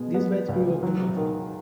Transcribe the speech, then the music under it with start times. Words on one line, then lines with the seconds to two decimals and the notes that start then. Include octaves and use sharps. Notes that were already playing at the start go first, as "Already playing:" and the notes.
Nisbet grew up in Buffalo.
Already playing: B2 G#3
0.14 B3
0.49 C#2
0.83 F#3
1.17 D#3